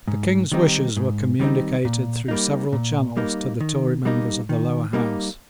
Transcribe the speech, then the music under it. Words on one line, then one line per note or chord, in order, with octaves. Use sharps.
The King's wishes were communicated through several channels to the Tory members of the Lower House.
G#2
D#3 G3 C4 D#4
G#2
D#3 G3 C4 D#4
A#2
G3 A#3 D#4
A#2
G3 A#3 D#4
D#3
G3 A#3 D#4
D#3
G3 A#3 D#4